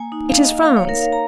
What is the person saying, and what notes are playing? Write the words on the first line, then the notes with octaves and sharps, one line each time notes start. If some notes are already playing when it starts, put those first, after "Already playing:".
It is France.
Already playing: A#3 G#5
D#4
A#3 F5
D#5
D#4 F5
A#3 F5
C#5
D#4
A#4
A#3 F5
A#5